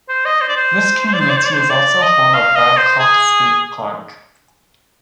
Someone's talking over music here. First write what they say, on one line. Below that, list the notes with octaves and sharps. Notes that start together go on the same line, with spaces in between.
This community is also home of Babcock State Park.
C5
D#5
C5
D5
C5
C5
D5
C5
D5
C5
D5
C5
D5
D#5
F5
D#5
C5
G#4